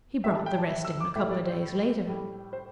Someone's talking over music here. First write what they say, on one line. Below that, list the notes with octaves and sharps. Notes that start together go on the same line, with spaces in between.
He brought the rest in a couple of days later.
A2 G3 E5
A5
G5
A5
E5
E6
D6
A2 G3 E5
D5
C5
A2 G3
C5